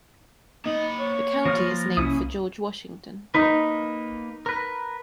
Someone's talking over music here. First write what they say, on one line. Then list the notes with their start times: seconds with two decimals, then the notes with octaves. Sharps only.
The county is named for George Washington.
0.66 A#3 D#4 B5
0.99 C#5
1.45 F3 F4 F6 A#6
1.97 C2 C#4 E4 D#6
3.35 A#3 D#4 B4
4.46 A#4 B4